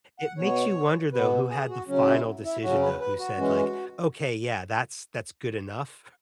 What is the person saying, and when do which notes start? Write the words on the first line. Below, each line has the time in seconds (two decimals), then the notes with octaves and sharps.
it makes you wonder, though, who had the final decision, though, who said, like, "Okay, yeah, that's that's good enough."
0.20 F#5
0.38 B2 B3 C#5
1.13 B2 B3 B4
1.50 G#4
1.70 F#4
1.88 C#3 F#3 C#4
2.07 E4
2.44 E4
2.63 C#3 F#3 C#4 F#4
2.82 B4
3.00 B4
3.19 F#4
3.38 E3 G#3 C#4